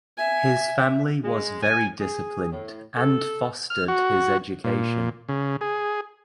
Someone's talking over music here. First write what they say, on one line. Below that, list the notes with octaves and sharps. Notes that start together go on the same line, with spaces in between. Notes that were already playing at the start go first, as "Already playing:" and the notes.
His family was very disciplined and fostered his education.
E5 G#5
G#3
G#5
G#4
A2
A4
F6
F#4
A#2
C#3
G#4